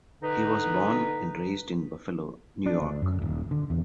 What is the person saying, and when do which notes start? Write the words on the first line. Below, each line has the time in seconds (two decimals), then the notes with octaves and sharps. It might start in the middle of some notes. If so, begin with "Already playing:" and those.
He was born and raised in Buffalo, New York.
0.22 D3 D#4 B4
2.66 D4
2.82 D2
3.02 F#2
3.22 D#1
3.51 D3
3.70 E2